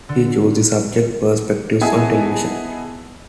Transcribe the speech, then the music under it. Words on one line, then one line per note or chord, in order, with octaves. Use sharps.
He chose the subject 'Perspectives on Television'.
D3
B3 E4 G#4 D#5 G#5 A5